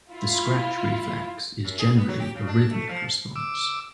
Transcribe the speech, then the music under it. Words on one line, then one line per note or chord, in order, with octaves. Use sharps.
The scratch reflex is generally a rhythmic response.
E4 F4
F#2
G#4
B3
F#3
G4
C#3
D4
A3
F3
D6 E6